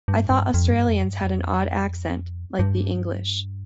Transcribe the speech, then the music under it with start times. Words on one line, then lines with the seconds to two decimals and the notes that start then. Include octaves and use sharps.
I thought Australians had an odd accent, like the English.
0.08 G2
0.30 G2
0.54 F2
0.71 G2
0.88 F2
1.04 G2
1.22 F2
2.59 G2